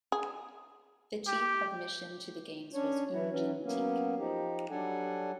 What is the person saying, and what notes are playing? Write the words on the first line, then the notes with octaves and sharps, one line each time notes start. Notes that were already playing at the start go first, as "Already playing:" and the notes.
The Chief of mission to the games was Oon Jin Teik.
G#4
G4
C#4 D4 C#5
E3 E4
E3 F#3 C#4
F#3 A#3 B3 C#4
F3 D#4 G4
F#3 G3 D4 A4 F#5 G#5